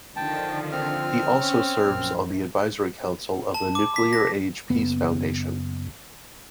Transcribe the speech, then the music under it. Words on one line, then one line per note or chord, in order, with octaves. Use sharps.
He also serves on the Advisory Council of the Nuclear Age Peace Foundation.
D3 D#3 F3 G5 A5
C4 F6
C#4
A#1 F#2
A5
D6
B6
A#6
F#1 B3